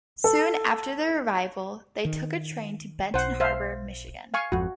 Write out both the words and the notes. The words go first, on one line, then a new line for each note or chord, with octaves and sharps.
Soon after their arrival, they took a train to Benton Harbor, Michigan.
A4
D#3
B1 C5 F#5
C5 E5 F5
F5 G#5 C#6
G#1 F2 F#4